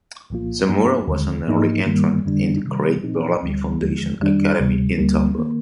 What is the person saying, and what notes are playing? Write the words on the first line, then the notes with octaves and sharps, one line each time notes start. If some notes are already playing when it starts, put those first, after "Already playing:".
Samura was an early entrant in the Craig Bellamy Foundation Academy in Tombo.
C2 A#2 F3 A#3 F4
G2 F3 A#3 D#4
D#2 D3 G#3
G#2 F3 A#3 D#4
G2 D#3 G3 A#3
F2 D3 G3 D4
C3 D#3 G3
A#2 F3 C4 D#4
D2 D3 G3
D#2 D3 F3 G#3
F2 D#3 G3 D4
D2 C3 G3
D2 D3 G3 A#3
D#3 A#3